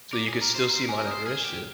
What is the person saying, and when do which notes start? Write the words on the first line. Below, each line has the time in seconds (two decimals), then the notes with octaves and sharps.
so, you could still see Mount Everest, yeah.
0.13 A#4 D6
0.28 G#4
0.41 A#4 A#5
0.55 C5
0.70 C5 A#5
0.84 A#4 G#5
0.98 A#4 F6
1.07 C5 D#6
1.26 G#4 F6
1.45 G4